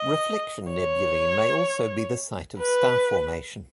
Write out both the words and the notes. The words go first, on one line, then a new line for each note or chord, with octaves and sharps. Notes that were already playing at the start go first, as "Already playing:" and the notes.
Reflection nebulae may also be the site of star formation.
Already playing: D#5
C#5
B4